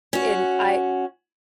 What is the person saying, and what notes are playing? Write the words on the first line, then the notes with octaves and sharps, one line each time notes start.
and I
C#4 F#4